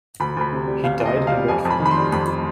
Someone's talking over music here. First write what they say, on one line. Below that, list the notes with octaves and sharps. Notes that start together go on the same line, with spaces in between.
He died in Watford.
D2 B5
D2 B5
C3
G3
D2 F5
D2
D#5
C3
G3 F5
F2 G#5
F2
B5
D#3
B5
C6
G3
F2 B5